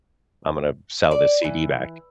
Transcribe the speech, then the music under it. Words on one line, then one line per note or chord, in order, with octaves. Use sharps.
"I'm gonna b sell this CD back."
D5
E3